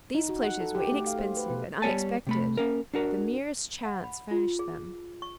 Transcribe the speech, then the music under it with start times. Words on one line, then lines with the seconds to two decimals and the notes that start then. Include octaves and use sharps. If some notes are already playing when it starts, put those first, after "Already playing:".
These pleasures were inexpensive and unexpected; the merest chance furnished them.
0.15 D#4
0.29 F#4
0.43 F#5
0.60 A4
0.75 G4
0.92 A3
1.06 F5
1.19 C5
1.37 B4
1.50 B2
1.82 G3 B3 C#5 G#5 A5
2.27 C3 A3 B5
2.57 A#3 C#4 A#4
2.94 D4 F#4 A#4
3.86 F#5
4.04 B5
4.31 F4
4.59 G#4
5.22 C#6